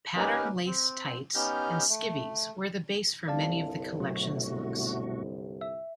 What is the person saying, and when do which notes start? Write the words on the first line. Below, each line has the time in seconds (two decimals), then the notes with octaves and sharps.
Patterned lace tights and skivis were the base for many of the collection's looks.
0.16 A#3 C#4 D#4 G4 A#4 B4
0.66 C4
1.35 B3 C#4 D#4 G4 F6 G6
1.89 A3
3.28 G1 C2 D5 F5 A5
4.00 B2 F#3 A3 F#4
5.61 E5